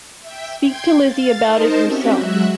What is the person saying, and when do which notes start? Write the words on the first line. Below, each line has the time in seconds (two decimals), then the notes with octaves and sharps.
Speak to Lizzy about it yourself.
0.20 E5 G5
0.61 G5 C6 G#6
1.03 F5 A6
1.43 D#4 A#4 C5 D#5 A5
1.83 C4 C#4 F#4 G4 E5
2.15 F#3 G#3 F#4 E5 F#5